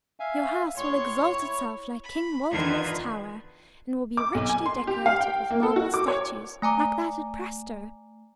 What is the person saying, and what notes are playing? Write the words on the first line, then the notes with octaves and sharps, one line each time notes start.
Your house will exalt itself like King Waldemar's tower, and will be richly decorated with marble statues, like that at Prastoe.
E5 F5 G#5
A2 C#5 C6
E4
B5
E2 D3 D#3 F4 B4 G#6
D6
B1
G#5
C6
G4
F5
G5
A#3
A4
F#4
D6
C#5
A3 G#5 A#5 D6